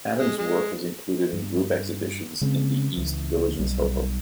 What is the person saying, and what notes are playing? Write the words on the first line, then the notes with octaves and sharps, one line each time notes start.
Adams' work was included in group exhibitions in the East Village and SoHo.
G#3
G#3
G2
C#3 G#3 C4 C#4
C#2 E3
B1 G3